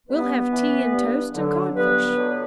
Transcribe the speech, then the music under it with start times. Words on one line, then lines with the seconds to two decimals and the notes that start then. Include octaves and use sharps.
"We'll have tea and toast and codfish."
0.09 G2 B3 B4
0.51 E3
0.92 G2
1.34 D3 F#3
1.75 G2 B3 B4
2.17 D3 F#3